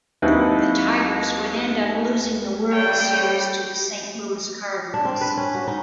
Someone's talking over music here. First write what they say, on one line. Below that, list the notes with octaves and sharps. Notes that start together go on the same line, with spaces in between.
The Tigers would end up losing the World Series to the Saint Louis Cardinals.
D#2 F#3 C4 D#4 E4 B4
G3 C#5 G5
D4
C4
B4
C#4
F#4
D#4